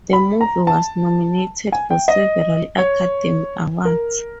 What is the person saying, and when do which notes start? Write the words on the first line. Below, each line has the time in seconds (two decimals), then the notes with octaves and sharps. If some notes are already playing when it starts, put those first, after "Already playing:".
The movie was nominated for several Academy Awards.
0.13 B5
0.41 A#5
0.67 A5
1.72 G#5
1.90 G5
2.08 D#5
2.78 C#5
3.85 A#4